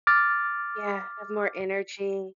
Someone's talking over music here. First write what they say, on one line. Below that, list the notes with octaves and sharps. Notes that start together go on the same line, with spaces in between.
Yeah, have more energy.
D6 F6 A6